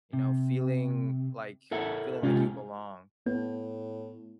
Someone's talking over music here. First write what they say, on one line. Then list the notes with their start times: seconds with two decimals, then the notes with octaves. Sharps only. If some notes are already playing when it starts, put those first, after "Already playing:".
you know, feeling like, y know, feeling like you belong,
0.13 C3
1.71 E4 A4 A#4 E5 F#5
2.22 C3 G#3 C#4 F4 G4
3.26 A2 B3